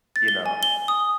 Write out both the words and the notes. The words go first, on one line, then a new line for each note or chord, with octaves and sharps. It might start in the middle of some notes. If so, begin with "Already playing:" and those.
you know?
A6
G7
G#5
G7
D#6